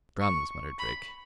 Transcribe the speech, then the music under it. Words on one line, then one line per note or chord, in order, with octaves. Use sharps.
"Drums?" muttered Drake.
C#6
B5